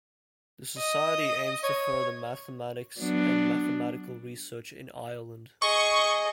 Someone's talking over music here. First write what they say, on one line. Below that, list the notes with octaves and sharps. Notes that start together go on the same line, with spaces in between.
The society aims to further Mathematics and Mathematical research in Ireland.
D#5
C#5
F#3 B3 D4
G#4 D#5 C#6